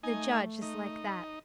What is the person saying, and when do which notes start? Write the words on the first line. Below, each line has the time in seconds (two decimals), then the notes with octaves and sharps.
The judge is like that.
0.03 A3 D#4 G#5
0.62 D#4